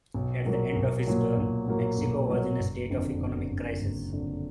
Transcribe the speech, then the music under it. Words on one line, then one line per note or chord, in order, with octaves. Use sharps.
At the end of his term, Mexico was in a state of economic crisis.
B1
A#2 F#3 A#3
B1
A#2 F#3 A#3
B1
A#2 F#3 A#3
B1
A#2 F#3 A#3
F#1
F2 D3
F#1
F2 D3
F#1
F2 D3